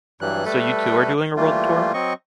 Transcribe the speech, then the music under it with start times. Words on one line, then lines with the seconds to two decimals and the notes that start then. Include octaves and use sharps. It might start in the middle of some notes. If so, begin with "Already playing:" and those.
So you too are doing a world tour?
0.21 G2 E3 F#3 G3 F#6
0.45 G3 A3 A4 B4
1.37 E3 G3 A3 A#3 F4
1.94 F#3 C4 D#5 C#6